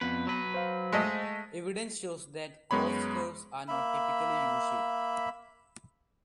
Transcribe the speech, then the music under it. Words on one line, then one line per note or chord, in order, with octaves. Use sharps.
Evidence shows that cost curves are not typically U-shaped.
F2 B3 B4
F#3 B4
C5 F5
G#3 A3 D#5
F#2 G#3 B3 C#5 B5
A#3 E5 B5